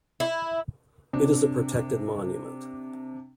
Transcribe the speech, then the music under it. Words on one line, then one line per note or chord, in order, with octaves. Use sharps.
It is a protected monument.
E4
C3 D4